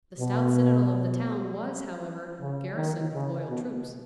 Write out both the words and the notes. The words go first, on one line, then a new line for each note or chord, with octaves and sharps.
The stout citadel of the town, was, however, garrisoned with loyal troops.
B2
C#3
D#3
C#3
B2